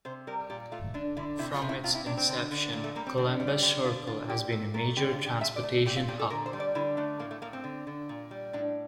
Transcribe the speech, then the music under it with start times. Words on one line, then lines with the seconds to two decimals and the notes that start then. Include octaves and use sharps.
From its inception, Columbus Circle has been a major transportation hub.
0.05 C3 C5
0.27 G3 A#4
0.50 A#2 G4
0.72 A3 F4
0.94 D3 D4
1.17 D3 E4
1.39 C3 E4
1.54 F4
1.62 C3
1.69 E4
1.84 C3 F4
1.95 E4
2.06 C3 D4
2.17 C4
2.28 D3
2.51 D3
2.73 A#2 A#3
2.84 A3
2.95 G3 A#3
3.07 C4
3.17 D3 C4
3.40 G3
3.47 F4
3.62 D3 G4
3.84 D3 F4
4.07 D3 F4
4.29 G3 G4
4.52 A#2 A4
4.74 A3 A#4
4.96 D3 G4
5.11 F4
5.19 D3
5.26 G4
5.41 A#2 E5
5.56 D5
5.63 A3
5.86 A#2 G4
5.97 F4
6.08 A#2 G4
6.20 A4
6.30 D3 A#4
6.46 C5
6.53 G3
6.60 D5
6.75 D3 E4
6.97 A3 D4
7.19 A2 A#3
7.31 A3
7.42 A2 A#3
7.53 C4
7.64 D3
7.87 D3
8.09 A#2
8.31 G3
8.53 A2 D4